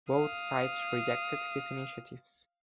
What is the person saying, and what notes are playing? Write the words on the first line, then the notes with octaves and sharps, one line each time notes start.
Both sides rejected his initiatives.
F5 D#6